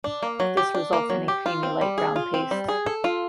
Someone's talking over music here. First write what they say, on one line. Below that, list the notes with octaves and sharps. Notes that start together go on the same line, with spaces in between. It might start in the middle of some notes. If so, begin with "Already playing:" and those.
This results in a creamy, light brown paste.
D4
A#3
F#3
G4
D4
A#3
F#3
G4
F4
C4
G3
G#4
F4
C4
G3
G#4
A4
F4